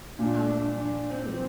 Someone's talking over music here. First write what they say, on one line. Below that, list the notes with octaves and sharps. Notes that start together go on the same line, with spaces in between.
Oh, cute.
A#2 D4
D4
C4